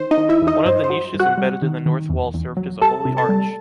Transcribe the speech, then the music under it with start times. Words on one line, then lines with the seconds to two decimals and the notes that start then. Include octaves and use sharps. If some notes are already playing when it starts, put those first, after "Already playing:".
One of the niches embedded in the north wall served as a holy arch.
Already playing: D#3 C5
0.11 D#4 D#5
0.17 D#3
0.29 E4 E5
0.42 E2
0.47 D#4 D#5
0.66 G2 C5
0.84 C5
0.90 F#3
1.14 G2
1.20 F#4 F#5
1.38 G3
1.62 D#3
1.86 D#3
2.10 E2
2.34 E2
2.57 F#3
2.81 G3 A4 A5
3.05 C3
3.17 A4 A5
3.29 G3